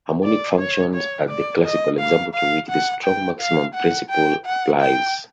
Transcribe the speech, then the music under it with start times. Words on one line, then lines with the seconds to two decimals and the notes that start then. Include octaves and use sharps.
Harmonic functions are the classical example to which the strong maximum principle applies.
0.24 D5
0.59 C#5
0.94 C#5
1.29 D5
1.64 D#5
1.99 F5
2.34 F5
2.69 F#5
3.04 G5
3.40 F5
3.75 F#5
4.10 G5
4.46 F#5
4.80 G5